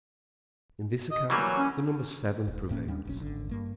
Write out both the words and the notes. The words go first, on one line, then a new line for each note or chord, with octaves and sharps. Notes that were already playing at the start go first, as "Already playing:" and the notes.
In this account the number seven prevails.
D#5
E3 F#3 G3 A#3 C#5 G#5
C#4
D#1
E1 A2 A#3 C#4
D#2 G3 C#4 D4
F1 B1 C#4
G#1 D3
G2 A#3